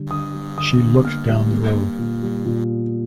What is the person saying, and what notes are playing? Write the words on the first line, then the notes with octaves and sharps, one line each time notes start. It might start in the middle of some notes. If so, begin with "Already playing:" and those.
She looked down the road.
Already playing: D3 G3
D3 D#6
G3
D3 D#6
D3
A#3 F6
G3
A#3
A#3
A#2
G3
A#2